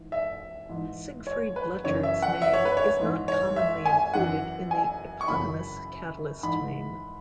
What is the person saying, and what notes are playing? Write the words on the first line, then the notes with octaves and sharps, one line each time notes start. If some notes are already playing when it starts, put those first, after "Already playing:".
Siegfried Blechert's name is not commonly included in the eponymous catalyst name.
Already playing: G#2 E3
E5
G#2 E3
C#5
B4
F#2 C#3 E3 C#5
E5
F#5
E5
C#5
B4
C#5
G#2 E3
C#5
E5
G#5
F#2 E3 F#5
G#5
C#6
F#2 C#3 E3 B5
G#2 E3 B5